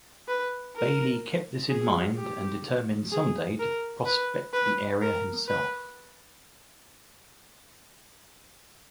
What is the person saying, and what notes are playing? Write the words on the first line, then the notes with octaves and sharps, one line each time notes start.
Bayley kept this in mind and determined some day to prospect the area himself.
B4
A#4
G#4
G4
G#4
A#4
B4
B4
A#4
B4